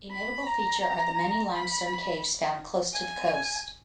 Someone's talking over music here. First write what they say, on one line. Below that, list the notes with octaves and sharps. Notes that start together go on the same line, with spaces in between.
A notable feature are the many limestone caves found close to the coast.
B5
A#5
B5
G#5